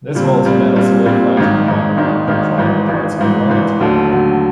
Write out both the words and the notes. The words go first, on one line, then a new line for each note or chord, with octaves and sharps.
This molten metal solidifies from the bottom up, joining the parts being welded together.
A#2 G3 C4
A#2 G3 C4
A#2 G3 C4
A#2 G3 C4
G#1 G#2 D#3
G#1 G#2 D#3
G#1 G#2 D#3
G#1 G#2 D#3
G#1 G#2 E3
G#1 G#2 E3
G#1 G#2 E3
G#1 G#2 E3
D#2 D3 F#3 A3
D#2 D3 F#3 A3